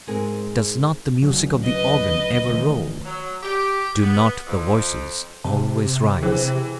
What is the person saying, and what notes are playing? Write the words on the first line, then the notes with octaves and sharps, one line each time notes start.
Does not the music of the organ ever roll, do not the voices always rise?
G#2 C4 D#4 G#4 A#4 G#5
D2 C#3 F#3
B4 D#5
D#3 E3 A3
F#3
G4
B3
F2
C3 A5
E3 G#4 C5 G5